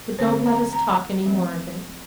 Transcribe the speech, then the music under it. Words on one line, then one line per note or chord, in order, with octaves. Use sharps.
"But don't let us talk any more of it."
D3 A3 C4 C5
A#5
A#5
F3 A3 C4